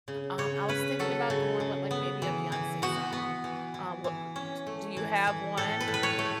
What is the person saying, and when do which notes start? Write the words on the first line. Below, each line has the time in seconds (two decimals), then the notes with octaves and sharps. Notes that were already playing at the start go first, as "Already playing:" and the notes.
Um, I was thinking about going with, like, maybe a Beyonce song, um, what, w d do you have one?
0.08 C#3
0.38 C#3 C#5
0.69 C#4 B4
0.99 F#3 A4
1.30 C#3
1.60 C#3
1.91 B3
2.22 E3
2.52 E3
2.82 B3 F#4
3.13 B3
3.44 E3
3.74 E3
4.04 E3
4.36 C#4
4.67 A3
4.97 E3
5.27 E3
5.57 A2 A4
5.80 B4
5.88 A2
5.94 B4
6.03 C#5
6.19 A3